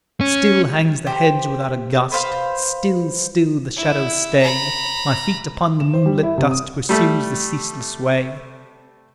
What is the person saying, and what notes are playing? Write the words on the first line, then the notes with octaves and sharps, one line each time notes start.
Still hangs the hedge without a gust, Still, still the shadows stay: My feet upon the moonlit dust Pursue the ceaseless way.
C#4
G4 C5
B4 C5 F5 B5
E4
A#5 B5
E7
C5
G3
E4
C3
D#6
G3 A3